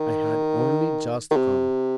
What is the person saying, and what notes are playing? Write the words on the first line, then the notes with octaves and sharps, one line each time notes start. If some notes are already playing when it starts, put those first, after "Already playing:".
"I had only just come."
Already playing: D#3
D#3
C3